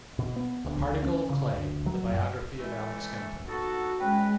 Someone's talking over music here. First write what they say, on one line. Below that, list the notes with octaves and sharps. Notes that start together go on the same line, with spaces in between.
"A Particle of Clay: the Biography of Alec Skempton".
B2
B3
D2
C#4
C#3
D2
F#3
F#2
E3 G#3 A3
B3 D#4 F#4 A4
G#3 C#4 B4 G5